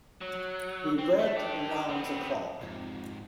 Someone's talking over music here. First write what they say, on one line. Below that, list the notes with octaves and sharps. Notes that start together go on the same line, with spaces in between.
We worked around the clock.
F#3
C4
A3
D4 G4
B3 C4
F2 G#2 C3